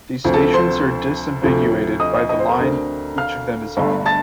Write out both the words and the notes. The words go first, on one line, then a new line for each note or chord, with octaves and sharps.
These stations are disambiguated by the line each of them is on.
D2 C3 F3 C4
A4 A5
C5 C6
D2 C3 F3 A3 C4
D#5 D#6
D#5 D#6
D#5 D#6
C5 C6
A#4 A#5
D2 D3 A3 C4
F5 F6
G1 G2 D3 A3
A5 A6